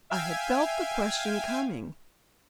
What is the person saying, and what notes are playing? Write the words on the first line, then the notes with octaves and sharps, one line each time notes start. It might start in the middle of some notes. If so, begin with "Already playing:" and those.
I had felt the question coming.
E5 F5 G5 G#5 G#6